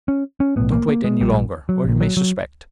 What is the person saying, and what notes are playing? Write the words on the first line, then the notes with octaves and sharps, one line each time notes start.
Don't wait any longer or he may suspect.
C#4
C#4
B1 A2 B3
A#3
A#3
G#3
A#1 A#2 G3
F#3
A#1 A#2
F#3
F#3